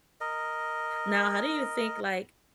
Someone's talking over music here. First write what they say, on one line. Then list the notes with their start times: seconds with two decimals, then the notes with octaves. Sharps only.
Now how do you think, like,
0.21 A#4 D#5